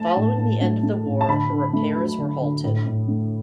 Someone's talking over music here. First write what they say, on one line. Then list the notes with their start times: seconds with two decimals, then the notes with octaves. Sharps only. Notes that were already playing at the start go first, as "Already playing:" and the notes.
Following the end of the war, her repairs were halted.
Already playing: A3 A5
0.16 A2
0.38 A2
0.61 A3
0.83 A3
1.06 A2
1.21 A5
1.28 D3 B5
1.50 D3
1.73 A3
1.95 F#3
2.18 D3
2.41 D3
2.64 A2
2.86 A2
3.08 A3